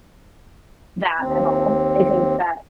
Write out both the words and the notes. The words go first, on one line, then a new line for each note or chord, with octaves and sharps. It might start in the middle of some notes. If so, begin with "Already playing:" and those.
that at all. I think that,
D#2 C4